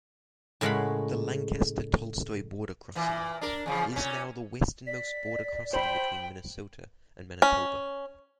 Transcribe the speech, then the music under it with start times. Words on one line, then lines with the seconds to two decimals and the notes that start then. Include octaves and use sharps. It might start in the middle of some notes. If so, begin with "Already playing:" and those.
The Lancaster–Tolstoi Border Crossing is now the westernmost border crossing between Minnesota and Manitoba.
0.61 A2 C#3 G#3 A#4 F#5 B5
2.95 A#2 E3
3.41 D4 A#4
3.66 E2 C#3 F3
3.92 A#2 C#4
4.87 D5 B6
5.73 C5 G5 B5 B6 F#7
7.42 C#4